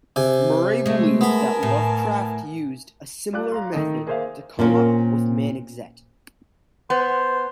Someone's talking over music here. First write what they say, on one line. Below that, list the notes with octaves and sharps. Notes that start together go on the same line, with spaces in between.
Murray believes that Lovecraft used a similar method to come up with "Manuxet".
C3 G#5
G#3 A3
B3 A#4 G#5 A5 B5
A2
G3 F4 D6 F#6
F5 A#5 C6
D#3 A3 D#4
A#3 G#4 A#4 C5 E5 F5
A#2 A#3 C4 C#4
B3 C5